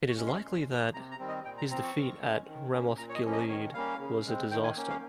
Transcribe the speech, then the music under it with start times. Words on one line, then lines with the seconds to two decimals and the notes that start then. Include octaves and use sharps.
It is likely that his defeat at Ramoth-Gilead was a disaster.
0.09 C#6
0.18 G#3 C#4
0.26 C6
0.43 A#2
0.69 F3 A#3
0.94 C3 A#5
1.11 A#5
1.19 D#3 G3 C4
1.28 D#5
1.45 A#2 G5
1.58 A#5
1.71 F3 C4 A#5
1.84 C#6
1.96 D#3
2.21 G#3 C#4
2.47 D#3
2.73 A#3 C#4
2.98 A#2 A#5
3.09 C#5
3.15 D#5
3.23 F3 A#3 C#4
3.32 D#5
3.49 D#3 C#5
3.74 G3 A#3 C#4 F5
4.00 C#3
4.26 G#3 C4
4.51 D#3 G5
4.64 G#5
4.76 A#3 C#4
4.89 F5